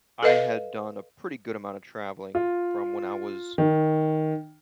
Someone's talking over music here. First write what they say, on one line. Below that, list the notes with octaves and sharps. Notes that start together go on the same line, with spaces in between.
I had done a pretty good amount of traveling from when I was
A4 B4 D#5 F5
F4
D#3